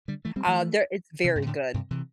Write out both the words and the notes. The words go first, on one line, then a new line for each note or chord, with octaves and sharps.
Uh, they're it's very good.
D3 G3
E3 A3
G3 C4
E3 A3
C3 E3
G2 C3
A2 D3
G2 C3
C3 E3